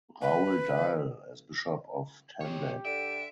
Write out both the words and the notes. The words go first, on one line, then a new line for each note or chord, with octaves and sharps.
Raul Dael as Bishop of Tandag.
B4
F2 G4 C#5
D3 E5 D7